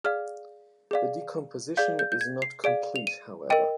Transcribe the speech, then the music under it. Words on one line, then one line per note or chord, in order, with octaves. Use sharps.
The decomposition is not complete, however.
G#4 D5 F5 F6
G#4 D5 F5
G#4 D5 F5 G6
G6
G6
G#6
C7
G#4 D5 F5 D7
F7
D#7
A#4 D#5 G5 D#7